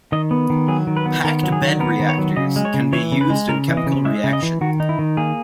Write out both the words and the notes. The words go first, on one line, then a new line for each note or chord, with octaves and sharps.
"Packed bed reactors" can be used in chemical reaction.
D#3 D#5
B3
D#3
F#3 G#4
D#3
B4
B3
D#3 A#4
F#3
G#4
D#3
B3 A#4
D#3
C#5
F#3
C#3 D#5
G#3
C#5
C#3
E3 C#5
C#3
B4
G#3
C#3 A#4
E3
D#5
C#3
G#3 E5
C#3
D#5
E3
D#3 F#4
D#4
E4
D#3
A#3 G#4